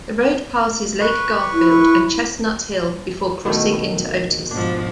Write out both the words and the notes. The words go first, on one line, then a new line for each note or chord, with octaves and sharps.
The road passes Lake Garfield and Chestnut Hill before crossing into Otis.
B4 C#6
E4
B2 D#3 A3
G#2 B2 F3 D4